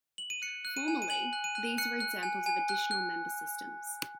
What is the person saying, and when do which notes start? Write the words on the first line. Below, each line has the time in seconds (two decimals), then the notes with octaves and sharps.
Formally, these were examples of additional member systems.
0.18 F#7
0.30 D#7
0.42 F#6 C#7
0.65 F#6
0.77 D#7
0.88 G#5
1.02 D#7
1.10 G#5 F#7
1.33 F#6
1.44 D#7
1.55 F#6
1.78 F#6 C#7
2.00 F#6
2.23 G#5
2.46 G#5
2.69 F#6
2.91 F#6